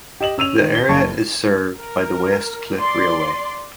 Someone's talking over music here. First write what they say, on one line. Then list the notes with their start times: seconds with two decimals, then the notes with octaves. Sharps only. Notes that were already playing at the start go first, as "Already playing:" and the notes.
The area is served by the West Cliff Railway.
0.21 G4 D#5 E7 F#7
0.38 C#4 E6 D#7 F7
0.60 D#3
0.75 G7
0.89 F#1 A5 C#6
1.77 A#4
2.80 D5 C6